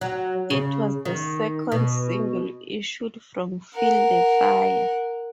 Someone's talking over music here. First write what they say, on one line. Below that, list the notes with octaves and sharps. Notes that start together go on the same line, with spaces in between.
It was the second single issued from "Feel the Fire".
F#3
C#3
D#3
B2
A#4 F#5